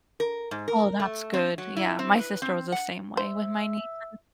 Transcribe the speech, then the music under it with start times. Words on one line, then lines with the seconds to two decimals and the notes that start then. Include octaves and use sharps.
Oh, that's good, yeah, my sister was the same way with my niece and
0.20 A#4
0.51 G#2
0.68 A#4
1.00 A3
1.33 C4
1.58 F#3
1.77 E4
1.99 C4
2.19 B4
2.42 C4
2.72 F#5
3.17 C5 E5